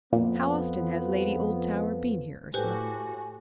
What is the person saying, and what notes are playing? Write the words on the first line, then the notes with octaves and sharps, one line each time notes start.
"How often has Lady Oldtower been here, Ursula?"
F2 A#2 F3 B3
A2 F#4 G4 A4 B4 C5 G#5